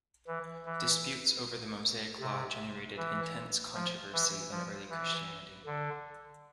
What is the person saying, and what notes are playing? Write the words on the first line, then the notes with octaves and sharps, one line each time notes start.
Disputes over the Mosaic law generated intense controversy in early Christianity.
E3
E3
C3
E3
F3
E3
F3
E3
D3